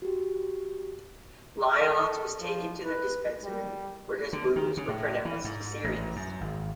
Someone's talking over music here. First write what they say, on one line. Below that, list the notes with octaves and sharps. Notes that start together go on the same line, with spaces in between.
Lyons was taken to the Dispensary, where his wounds were pronounced serious.
F#4 G4
A4
F3
B4
G3
D3
D#3
C#3
A2
E3
G#2
A1
F#2
G#1